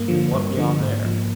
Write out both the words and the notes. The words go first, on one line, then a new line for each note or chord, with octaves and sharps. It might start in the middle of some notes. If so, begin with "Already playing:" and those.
"And what beyond there?"
Already playing: G2 A#3
D3 F3
G2
D3 F3
G#2
F3